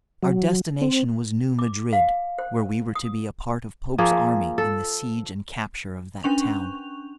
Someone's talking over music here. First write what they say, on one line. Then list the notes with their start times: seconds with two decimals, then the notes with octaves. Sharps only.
Our destination was New Madrid, where we were to be a part of Pope's army in the siege and capture of that town.
0.23 F#3
0.81 C4
1.59 D6
1.93 F5
2.38 C5
2.95 D#6
3.98 F3 A#3 G#4
4.58 A4
6.23 C#4 D4 C#6 F7